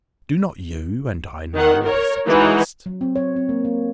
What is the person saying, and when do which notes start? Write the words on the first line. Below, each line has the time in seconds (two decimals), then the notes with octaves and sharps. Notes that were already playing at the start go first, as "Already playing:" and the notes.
Do not you and I know what is just?
1.54 D#3 F#5
1.85 A#4 C#5
2.26 E3 G#3 D#4 F#4
2.86 F#3
3.01 C4
3.16 C#5
3.36 C4
3.49 A#3
3.65 A#3